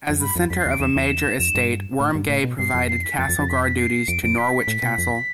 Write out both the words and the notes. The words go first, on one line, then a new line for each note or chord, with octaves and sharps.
As the centre of a major estate, Wormegay provided castle-guard duties to Norwich Castle.
F2
G2 B5
F2
F2 B6
C7
E2
D7
E2 E7
E2
F2 E7
G2
A2
G2
A2
B2
G2 C7
F2
C7
B6
F2 A6
F2
F2
B6
B6
C7
F2 D7
F2 D7
B6
A2
B2
F2